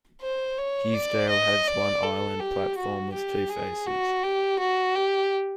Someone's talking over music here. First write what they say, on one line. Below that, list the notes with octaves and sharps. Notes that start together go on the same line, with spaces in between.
Hughesdale has one island platform with two faces.
C5
C#5
D5
D#5
D5
A4
G4
F#4
G4
G#4
F#4
G4
F#4
G4